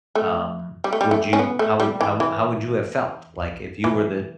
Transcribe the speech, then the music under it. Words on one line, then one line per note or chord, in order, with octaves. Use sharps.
um, would you how would how how would you have felt? Like, if you were the
A3
G3
A3
G3
A3
C#4
B3
A3
G3
E3
E3
E3